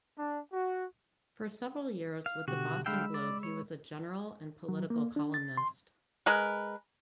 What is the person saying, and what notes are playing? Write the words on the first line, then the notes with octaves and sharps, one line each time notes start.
For several years with "The Boston Globe", he was a general and political columnist.
D4
F#4
F5
B2 D3 F#4 G4
D3 G#3 F5 G5 B5 E6
D5
C#5
F#3
A#3
D4
A6
C6
G#3 A#4 B4